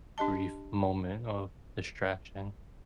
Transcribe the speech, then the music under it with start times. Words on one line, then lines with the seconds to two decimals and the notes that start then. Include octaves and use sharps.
brief moment of distraction.
0.18 D4 G4 D#5 A5